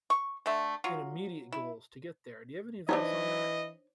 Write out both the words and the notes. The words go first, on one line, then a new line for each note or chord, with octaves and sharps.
intermediate goals to get there. Do you have any advice on that?
C#6
D3 A3
F#3 F4
E4
E3 D4 D#4 C5 C#5 D#5